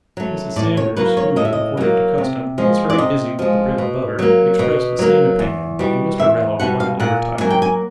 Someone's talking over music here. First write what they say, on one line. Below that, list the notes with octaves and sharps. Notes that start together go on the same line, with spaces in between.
Mrs. Sanders, who, according to custom, was very busy with the bread-and-butter, expressed the same opinion, and Mr. Raddle quietly retired.
F#3 A3
A2 D5
C#5
F#3 A#3 B4
C#5
A2 D#5
E5
D#5
F#3 A#3
C3
F3 G#3
D5
C3 D#5
F3 G#3
B2
F#3 A#3
B2
F#3 A#3
E2
B2 G3
E2 E5
B2 G3 F#5
F5
A#2 F#5
F#3 A#3 G#5
G5
G#5